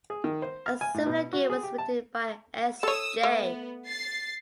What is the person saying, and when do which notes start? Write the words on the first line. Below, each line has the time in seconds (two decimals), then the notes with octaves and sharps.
A similar game was written by S. J.
0.10 G#4
0.24 D#3
0.42 C5
0.66 F6
0.81 G#5
0.94 A2
1.06 B2
1.33 F#4
1.50 G#4
1.63 G4
1.78 A5
2.83 A4 C#5 D#6 E6
3.23 A3 B3
3.88 A6 C7